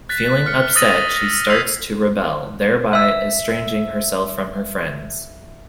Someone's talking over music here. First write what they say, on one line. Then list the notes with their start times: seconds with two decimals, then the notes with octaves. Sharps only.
Feeling upset, she starts to rebel, thereby estranging herself from her friends.
0.09 F#6 A6 B6
0.46 F6 C#7
0.76 D#6 E6 A6 A#6 D#7
1.16 A6 A#6
1.49 E6 G6 G#6 B6 C7 F7
2.93 E5 E6